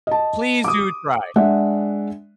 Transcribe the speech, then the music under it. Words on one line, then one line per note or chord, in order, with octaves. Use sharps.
Please do try.
D#5 A5
D6 D#6
G#3 D4 E5 F#5